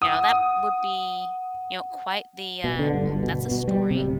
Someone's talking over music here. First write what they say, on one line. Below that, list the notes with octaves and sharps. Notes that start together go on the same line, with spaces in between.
You know, that would be, you know, quite the, uh, m "That's a story.
F#5 D#6
B2
D3
G2
G1
B2
B2
G3
C3
D1